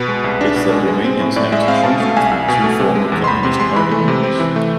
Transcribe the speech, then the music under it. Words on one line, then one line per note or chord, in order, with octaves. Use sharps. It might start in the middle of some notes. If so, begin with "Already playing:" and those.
It's that Romanians have to choose between two former Communist Party members.
Already playing: B2 B4
G#3
C2
D4
B2
G#3
G#3
C4
A2
A2 D5
G#3 E5
E5
C4 F5
B2 A5
A3 F5
C2 G#5
C2
B2
A3
C3
G#3
E2
C6
E2 B5
C3 C6
G#3 C6
E3 B5
A3
C3
C4
E3
A3